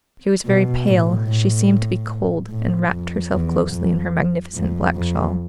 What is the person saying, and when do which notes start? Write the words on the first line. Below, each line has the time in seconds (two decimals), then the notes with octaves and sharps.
She was very pale, she seemed to be cold, and wrapped herself closely in her magnificent black shawl.
0.45 B2
0.86 A2
1.27 A2
2.50 A2
2.90 F2
3.32 E2
3.72 F2
4.54 F2
4.95 F2